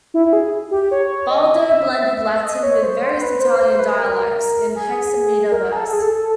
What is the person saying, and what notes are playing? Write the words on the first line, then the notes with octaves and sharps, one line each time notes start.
"Baldo" blended Latin with various Italian dialects in hexameter verse.
E4
G#4
G4
C#5
D#5
E5
E5
D#5
C#5
C5
C5
B4
C5
C5
B4
A#4
G#4
A#4
G#4
A4
G#4
A4